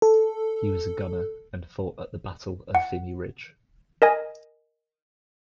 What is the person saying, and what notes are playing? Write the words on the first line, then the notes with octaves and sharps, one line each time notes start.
He was a gunner and fought at the Battle of Vimy Ridge.
A4
F#5
A#4 D#5 G#5